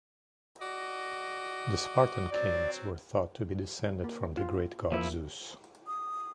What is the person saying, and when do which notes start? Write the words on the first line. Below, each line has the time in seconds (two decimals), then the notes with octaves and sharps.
The Spartan kings were thought to be descended from the great god Zeus.
0.59 F#4 D5 D#5
2.31 F#3 C4 D5
4.04 A#3
4.37 F4
4.92 F3 A#3 E4 E5
5.87 D#6